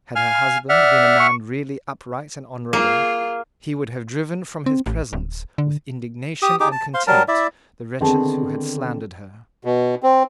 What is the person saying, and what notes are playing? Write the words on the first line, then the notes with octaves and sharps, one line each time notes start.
Had her husband been a man really upright and honourable, he would have driven from his presence with indignation and contempt the wretches who had slandered her.
F5 G#5 F6
D5 E5 F#5 F6
C#6
A#3 F4 G#4
C4
A1
D1
D3
G4 D#6
D#4 G4 G#4 D6
A5
C5 F5 C6
F#3 G3 A#4 A5
E4 D5 E5
D3 D#3 B3 C4 G#4 A5
B2
C4